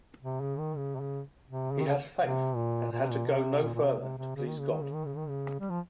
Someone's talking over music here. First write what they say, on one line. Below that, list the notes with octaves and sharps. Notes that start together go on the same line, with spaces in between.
He had faith and had to go no further to please God.
C3
C#3
D#3
C#3
C3
C#3
C3
C#3
D#3
C#3
C3
A#2
A#2
C3
A#2
C3
A#2
A#2
C3
C3
C3
C#3
D#3
C#3
D#3
C#3
D#3
C#3
D#3
C#3
G3
F3